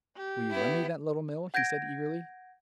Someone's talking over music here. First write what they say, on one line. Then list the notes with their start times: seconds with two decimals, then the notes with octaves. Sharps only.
"Will you lend me that Little Mill?" he said eagerly.
0.17 G4
0.50 B3 E4
1.54 F#5 G6 G#6 A#6 D7